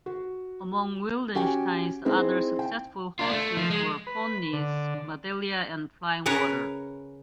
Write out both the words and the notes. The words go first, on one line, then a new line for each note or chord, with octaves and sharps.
Among Wildenstein's other successful horses were Pawneese, Madelia, and Flying Water.
F#4
C#4 F#4 G4 G5 G#5
C4 D#4 E4 G#4 C5
G5
D4 F4
A3
F3
G#3
B4
D3
C#3 A#4 B4 C#5 A#5